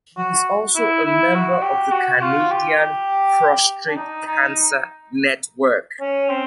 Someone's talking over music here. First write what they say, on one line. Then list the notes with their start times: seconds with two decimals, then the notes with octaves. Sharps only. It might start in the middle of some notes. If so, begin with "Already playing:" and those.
He is also a member of the Canadian Prostate Cancer Network.
0.17 F#4
0.76 E4
1.05 E4
1.34 F#4
1.62 G4
1.92 F#4
2.22 F4
2.51 G4
3.88 D4
3.96 D#4
4.26 D#4
6.01 C#4
6.30 C4